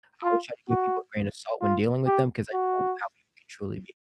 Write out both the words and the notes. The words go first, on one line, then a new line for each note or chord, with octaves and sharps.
I always try to give people a grain of salt when dealing with them 'cause I know how people can truly be.
F4
F#4
F4
G4
F#4